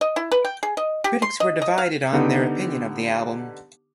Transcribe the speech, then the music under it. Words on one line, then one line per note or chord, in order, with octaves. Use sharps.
Critics were divided on their opinion of the album.
D#5
E4
B4
G5
G#4
D#5
G4
C6
D#5
D#5
F5
D3 B3 D#4 G4